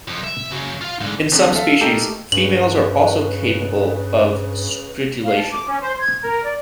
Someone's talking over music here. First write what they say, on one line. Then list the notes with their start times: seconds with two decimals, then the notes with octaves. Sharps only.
In some species, females are also capable of stridulation.
0.08 F2
0.24 E5
0.52 C#3 F#3
0.81 F4 F5
1.01 G#2 D3
1.32 E2 D3 C4
1.55 A4 E5 F5
1.81 A3 D#4 G4 A4 A#4
2.32 G2 C#3 B4 F#7
5.24 F5
5.36 A5
5.51 D6
5.68 C#4
5.81 C5
6.00 G#6
6.22 A#4
6.44 D5